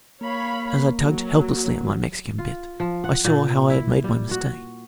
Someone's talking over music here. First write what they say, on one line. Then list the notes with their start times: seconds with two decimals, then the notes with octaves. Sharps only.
As I tugged helplessly at my Mexican bit, I saw how I had made my mistake.
0.21 A#3 C#5 F5 B5
1.03 F#3
2.38 F4
2.80 F3
3.04 F#5
3.25 A#2
3.70 E4
4.04 G3
4.31 F#4